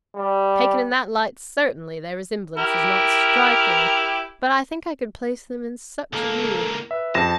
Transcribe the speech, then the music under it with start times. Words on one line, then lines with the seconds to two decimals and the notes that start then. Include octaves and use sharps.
Taken in that light certainly, their resemblance is not striking; but I think I could place them in such a view.
0.16 G3
2.57 E4 G4 A#4
6.13 C#2 A#3 A4
6.91 B4 E5
7.15 F2 A5 A#6